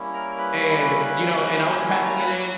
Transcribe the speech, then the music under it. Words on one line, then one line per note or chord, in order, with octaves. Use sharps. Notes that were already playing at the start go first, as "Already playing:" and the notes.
And, you know and I was passing it in
Already playing: G3 A#3 C#4 E4
A#4 A#5
B4 B5
G#5
A5
A#5
B4 B5